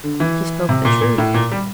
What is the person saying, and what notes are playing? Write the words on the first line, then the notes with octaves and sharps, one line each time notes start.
She spoke the truth.
D3
E3
C3
A#2
A#2
A2
A#2
G3